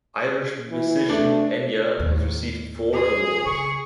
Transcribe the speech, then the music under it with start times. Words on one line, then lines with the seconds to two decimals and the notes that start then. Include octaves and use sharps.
Irish musician Enya has received four awards.
0.70 E3
1.09 A3 D4
2.00 D#2 A2
2.93 G#4
3.46 C#3 C#6